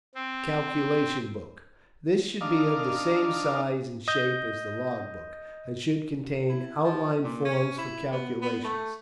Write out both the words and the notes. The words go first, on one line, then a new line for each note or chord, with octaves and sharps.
Calculation Book.--This should be of the same size and shape as the Log Book, and should contain outline forms for calculations.
C4
D4 D#4 F5
D#5 G6
E4
F3
A#2
C#4
E4
B3
B3
A3